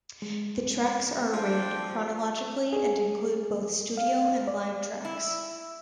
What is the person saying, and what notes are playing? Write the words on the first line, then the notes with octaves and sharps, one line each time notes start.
The tracks are arranged chronologically and include both studio and live tracks.
G#3
F3 D4 D5 G5
G#4
F5
D5
E4